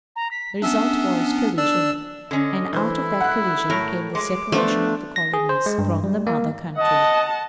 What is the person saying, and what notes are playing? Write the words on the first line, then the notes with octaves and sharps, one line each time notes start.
The result was, collision; and out of that collision came the separation of the colonies from the mother-country.
A#5
B6
B3 C#4 D4 E5
D4 D5 E6
D3 C#4 D#5
E3 E4 C5
F#5 F#6
A2 A#4 C#5
G#3 D6
F3 A3 B3 D4 C5
A#6
G#4
C5
G#3
G2
G3
A#3
D#5 F#5 A5